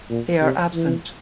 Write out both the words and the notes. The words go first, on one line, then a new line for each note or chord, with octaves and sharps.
They are absent.
A#2
C3
E3